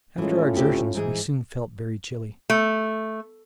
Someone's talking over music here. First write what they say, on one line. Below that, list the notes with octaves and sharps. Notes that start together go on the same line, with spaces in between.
After our exertions we soon felt very chilly.
A2 E3 G#3 C#4 F4
D2 C4 G4
G#2 E3 G#4
A3